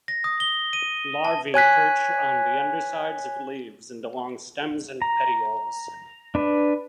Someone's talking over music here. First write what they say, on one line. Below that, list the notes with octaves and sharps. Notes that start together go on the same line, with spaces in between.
Larvae perch on the undersides of leaves and along stems and petioles.
A#6
D#6
G7
D#7
A5
C#5 G#5 F#6 B6
A#5
D4 B4